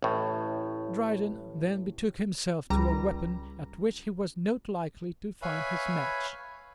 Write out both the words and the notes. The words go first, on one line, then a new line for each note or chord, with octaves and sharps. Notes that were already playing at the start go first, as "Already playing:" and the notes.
Dryden then betook himself to a weapon at which he was not likely to find his match.
A1 A2
C#2 G3 A#5 A#6
B4 C#5 E5 F5 G#5 B5